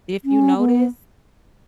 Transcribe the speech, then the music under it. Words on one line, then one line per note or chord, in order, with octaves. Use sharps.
if you notice,
C#4
B3